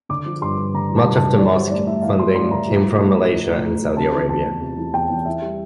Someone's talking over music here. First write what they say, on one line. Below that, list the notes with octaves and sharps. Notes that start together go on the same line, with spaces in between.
Much of the mosque funding came from Malaysia and Saudi Arabia.
D3 D6
F3
G2 C6
G2
D3 A#5
F3
A5
G2
A5
G2
E3 D5
G3 C5
A2 D5
A2 E5
E3 F5
G3 C6
A2 C6
A2 A#5
F3
A2
A2
F3
F3
A2
A2
F3
C3 A5
E3
E2 A5
E2
C3
E3
E2 G5
E2
E3 E5
G3